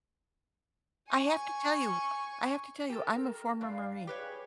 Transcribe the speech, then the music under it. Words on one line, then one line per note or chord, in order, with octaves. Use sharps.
I have to tell you I have to tell you, I'm a former Marine.
G#5 C#6
G4 A4 A#4
G2 D5 F5
G4 B4 C#5
G#4